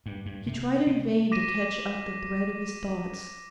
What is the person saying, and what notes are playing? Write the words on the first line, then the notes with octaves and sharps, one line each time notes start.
He tried in vain to catch up the thread of his thoughts.
G2
G2
C3
C3
D6 A#6 B6 D#7 E7